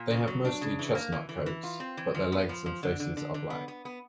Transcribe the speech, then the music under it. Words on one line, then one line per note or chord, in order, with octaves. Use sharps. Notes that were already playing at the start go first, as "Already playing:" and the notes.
They have mostly chestnut coats, but their legs and faces are black.
Already playing: A#2
C#3
F#3
D4
C#3
E3
A#3
E3
E3
E3
F4
C4
E3
F3
B3
F3
F3
D3
D3
D3
D3
B3
B3
B3